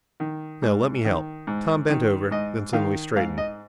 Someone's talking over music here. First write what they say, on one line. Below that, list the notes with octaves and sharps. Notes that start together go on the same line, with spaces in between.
"No, let me help." Tom bent over--then suddenly straightened.
D#3
G#2
D#3
G#2
D#3
G#2 D#5
D#3 F5
G#2 F5
D#5